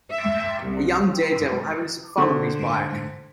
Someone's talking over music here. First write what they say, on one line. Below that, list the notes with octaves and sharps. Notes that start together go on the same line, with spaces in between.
A young daredevil having some fun on his bike.
E5
C2
D3 C5